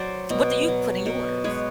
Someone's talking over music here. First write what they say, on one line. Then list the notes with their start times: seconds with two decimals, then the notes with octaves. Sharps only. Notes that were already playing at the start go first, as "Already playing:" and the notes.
What do you put in yours?
Already playing: F#3 C5 D5
0.30 B2
0.68 F#3
1.06 B2
1.44 G#3 B4 C#5